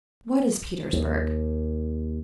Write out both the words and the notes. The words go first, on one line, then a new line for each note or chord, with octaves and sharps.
What is Petersburg?
D#2